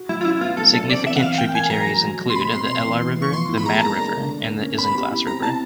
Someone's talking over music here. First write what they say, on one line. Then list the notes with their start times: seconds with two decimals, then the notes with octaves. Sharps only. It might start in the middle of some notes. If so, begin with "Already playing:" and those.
Significant tributaries include the Ela River, the Mad River, and the Isinglass River.
Already playing: F#4
0.09 F#3 E4
0.21 F4
0.25 C#4 E4
0.41 B3 F4
0.57 F#3 A4
0.73 D4 A4
0.89 C4 D5
1.06 E3 E5
1.16 F#5
1.22 E3 F5
1.38 A#3 G5
1.54 A#3 G#5
1.70 F#3 A#5
1.86 F#3
2.04 F#3
2.19 A3
2.30 C6
2.35 B2 B5
2.51 C4 C6
2.68 B2 C6
2.84 E3
3.00 E3
3.16 B3
3.22 C#6
3.32 F3 C6
3.48 E4
3.57 B5
3.64 G#3 A#5
3.75 A5
3.82 A#3 A#5
3.98 D4
4.13 D3
4.30 A#3
4.46 A#3
4.62 C#4
4.78 B3 B5
4.95 G4
5.10 E4
5.26 C4 A#5
5.43 E4 A5